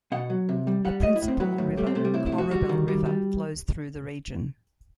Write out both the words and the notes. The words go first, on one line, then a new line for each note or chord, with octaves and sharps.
The principal river, Corubal River, flows through the region.
B2 F#5
F#3
C3
G3
G3 F#5
A2 D#5
E4
A2
C4
F#3 B3
A2
G3 A3
C4
C3 A3
G3
A2 E4
E4
A2
F#4
G3 F#4
D#3
G3
G3